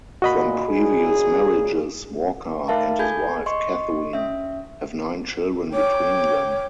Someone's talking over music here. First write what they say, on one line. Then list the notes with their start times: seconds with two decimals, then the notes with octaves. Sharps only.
From previous marriages, Walker and his wife, Catherine, have nine children between them.
0.22 A#2 F#4 D#5 B5
0.69 A#2 C#3 G#4
2.68 A3 D#4 A#4 E5 F5 A5
2.99 G#4 A4 G#5 B5 G6 G#6
3.46 D#5 C6 C#6
4.13 C#4 E5
5.73 C#5 G5 D6